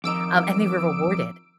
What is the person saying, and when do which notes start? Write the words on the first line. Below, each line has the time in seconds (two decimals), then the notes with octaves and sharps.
Um, and they were rewarded
0.04 F2 D#3 D#4 D6 E6 D7